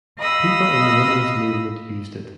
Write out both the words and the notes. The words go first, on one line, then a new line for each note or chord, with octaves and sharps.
People in the women's movement used it.
D#5 F5 B5 D#6 E6